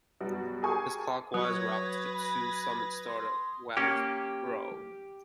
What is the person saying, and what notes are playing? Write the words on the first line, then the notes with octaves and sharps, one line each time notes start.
His clockwise route to the two summits starts at Wath Brow.
F#2 B2 G3 B3 F#4
G4 G#4 A#4 G#5 C#6 D#6
A5 D#7
F#3 B4 C#5 D#6 G#6 A#6
B5
C6
A#3 C#4 G4